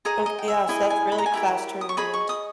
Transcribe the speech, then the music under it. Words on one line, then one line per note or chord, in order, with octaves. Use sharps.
Ok yeah, so that's a really fast turnaround.
G#4 D#5 A#5
D#5
G5
E5
E4 G#4 D#5 G#5
G#5
B5
A#5
G#5
E4 G4 A#4 A#5
D#6
C#6
G#4 D#5 B5
C#6
D#6